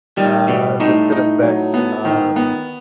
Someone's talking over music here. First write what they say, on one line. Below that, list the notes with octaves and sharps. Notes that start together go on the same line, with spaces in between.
uh, "This could affect, um
D#3 G3
B2 G3
A2 D#4
D#4
F#3
B3
D#3
B3